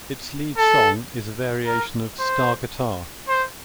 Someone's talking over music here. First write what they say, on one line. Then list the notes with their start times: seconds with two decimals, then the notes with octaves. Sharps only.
Its lead song is a variation of "Star Guitar".
0.57 A4
1.66 A#4
2.20 C5
3.28 C5